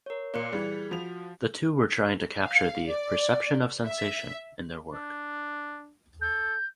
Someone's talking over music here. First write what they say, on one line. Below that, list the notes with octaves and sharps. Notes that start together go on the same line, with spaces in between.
The two were trying to capture the "perception of sensation" in their work.
A#4 C#5
A#2 A#3 D5 F#6 C#7
E3 G3 G#4
F3 F#4 F7
F5
D5
E5
D4
A4 G6